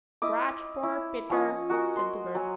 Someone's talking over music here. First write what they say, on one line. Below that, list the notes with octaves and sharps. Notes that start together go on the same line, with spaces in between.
"Scratch poor Peter," said the bird.
E4 D#5 D6
E4
F3 C#4 C#5 D#5
F#4 A#4 D#5 G#5
C6
F#3 G#5